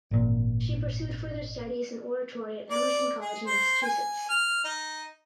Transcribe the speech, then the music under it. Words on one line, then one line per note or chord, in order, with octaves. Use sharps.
She pursued further studies in oratory at Emerson College in Massachusetts.
G#1 A#2
D5
G#4
C5
G#5
F6
D#4